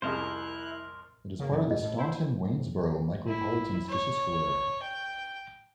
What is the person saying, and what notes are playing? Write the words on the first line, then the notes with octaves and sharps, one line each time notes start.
It is part of the Staunton-Waynesboro Micropolitan Statistical Area.
C2 F2 E4 G#4 A#4 C5 F#6
C#3 A#3
F#2 A#2
D#5
A2
E4 C5
E4
C#5
G5